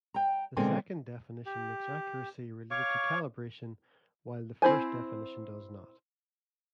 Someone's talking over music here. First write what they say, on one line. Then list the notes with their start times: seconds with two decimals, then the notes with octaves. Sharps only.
The second definition makes accuracy related to calibration, while the first definition does not.
0.14 G5 A#5
0.57 B2 D3 G#3 A#3 C4 G#5
1.46 G4
2.71 C#5 F5 C#6 D6
4.62 C4 E4 C5 G#5